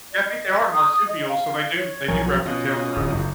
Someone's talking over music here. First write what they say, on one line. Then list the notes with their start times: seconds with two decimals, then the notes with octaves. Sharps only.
Yeah, I think they are marsupials, so they do they do wrap their tails around.
0.09 D5
0.23 D#5
0.52 B4
0.70 D#6
1.05 D#5
1.28 F5
1.75 C#5
2.08 B1 F3 F#3 A#4 C#5 G#5
2.26 F#4
2.46 B2 C#4 F4 D#5
2.96 D1
3.15 F#1